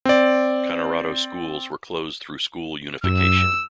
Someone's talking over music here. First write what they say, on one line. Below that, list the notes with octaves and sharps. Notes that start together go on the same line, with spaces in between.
Kanorado schools were closed through school unification.
C4 D5
F#2 E6